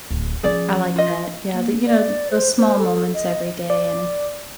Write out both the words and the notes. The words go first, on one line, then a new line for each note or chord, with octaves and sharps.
I like that, yeah, the you know, those small moments every day and,
D1
F3 C#4 G#4 D5
F4 D#5
A#3
D5
C5
C5
A4
D#5
D5